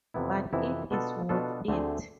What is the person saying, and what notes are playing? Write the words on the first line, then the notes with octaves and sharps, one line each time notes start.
But it is worth it.
F2 C3 E3 B3 E4
F2 C3 E3 B3 E4
B2 B3 D4 F4 A4
B2 B3 D4 F4 A4
D2 D3 A3 C4 G#4